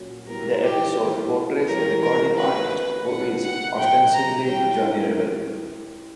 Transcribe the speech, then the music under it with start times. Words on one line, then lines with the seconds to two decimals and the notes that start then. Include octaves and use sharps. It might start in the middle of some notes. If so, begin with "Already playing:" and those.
The episode portrays a recording artist who is ostensibly Johnny Rebel.
Already playing: A#2 F#3 C#4 F#4
0.27 G3 B3 E4 A#4
0.63 G4
0.98 G3 A#3 E4 G4
1.67 E3 G3 C#4 A#4
2.03 A#4
2.37 D3 A#3 C#4 F#4 B4
3.07 B2 A#3 D4 F#4 F#5
3.43 F#5
3.77 A#2 F#3 C#4 G5
4.13 A#5
4.47 G3 C#4 E4 G4 G5